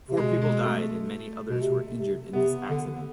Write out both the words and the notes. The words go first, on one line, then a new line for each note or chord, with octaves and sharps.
Four people died and many others were injured in this accident.
C3
B2 G#3
G#3
A3
B2
C3
C3
C3 B3
D3